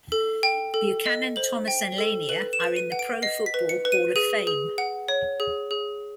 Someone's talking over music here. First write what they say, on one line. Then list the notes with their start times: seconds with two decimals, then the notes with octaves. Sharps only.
Buchanan, Thomas and Lanier are in the Pro Football Hall of Fame.
0.12 A4
0.43 G5
0.74 A4
1.06 D#5
1.36 C5 F#7
1.68 G5
1.98 A4
2.29 B4 F#7
2.53 E7
2.60 B4
2.76 D#7
2.92 F#5
2.99 D7
3.22 D#5 C7
3.46 B6
3.54 B4
3.69 C#7
3.85 B4
3.92 D#7
4.16 G#4 D#7
4.47 G#4
4.78 F#5
5.08 C#5
5.40 G#4
5.71 G#4